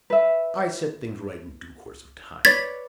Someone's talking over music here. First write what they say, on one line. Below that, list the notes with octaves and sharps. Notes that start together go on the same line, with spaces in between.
I set things right in due course of time.
B4 E5
B4 C#5 D5 G#6 A6 B6